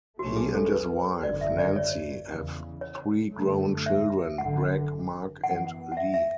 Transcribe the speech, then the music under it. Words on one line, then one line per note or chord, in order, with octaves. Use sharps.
He and his wife, Nancy, have three grown children, Greg, Mark and Lee.
B1 B2 F#3 A3 C#4 F#4
G#4
A4
B4
G#1 F#2 D3 D5
E5
D5
C#5
E2 C#3 E3
C#5
F#2 D3 A3
E5
G#1 F#2 D3 F#5
F#2 E3 B3 F#5
F#5
E5
E5